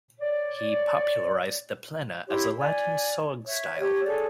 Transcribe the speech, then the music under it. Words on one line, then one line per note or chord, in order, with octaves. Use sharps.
He popularised the plena as a Latin song style.
C#5 D5
E4 G4 C#5 C6
D5 G#5
C#5 E5
G4 C#5
G#4 A4 C#5 D5